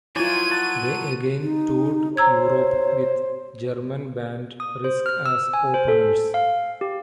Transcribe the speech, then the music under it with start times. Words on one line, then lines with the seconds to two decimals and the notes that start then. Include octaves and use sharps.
They again toured Europe with German band Risk as openers.
0.16 F#3 A#3 E4 F4 C5 D5 G#5 D#7
0.50 F#5 A5
1.41 D#4
2.17 C5 C#5 A#5 E6 G#6
4.60 D#6
4.84 C5
5.06 F6
5.26 E6
5.53 G#5
5.74 C5
5.88 A4
6.34 F5
6.81 G4